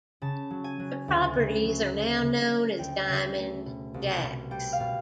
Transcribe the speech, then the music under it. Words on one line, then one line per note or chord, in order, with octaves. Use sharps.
The properties are now known as "Diamond Jack's".
C#3 A5
F#3
G#5
F#3
D2
C#3
F#3
A3
C#3
F#3
D2 G5
C#3
A3
B2
C2
B2
G3 G5
F5
B2